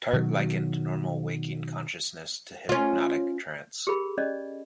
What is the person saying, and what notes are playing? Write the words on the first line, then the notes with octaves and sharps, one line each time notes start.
Tart likened normal waking consciousness to hypnotic trance.
B2 D#3 F#3
C#4 F4
G4 G#4 A#4 B5
C#4 D5 D#5